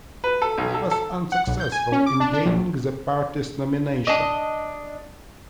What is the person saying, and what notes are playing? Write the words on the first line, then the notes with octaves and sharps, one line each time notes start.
He was unsuccessful in gaining the party's nomination.
B4
A4
B1
A4
A4
F#5
B1
G6
G#5
C#4
D6
D4
D4
A#1
D4 D#5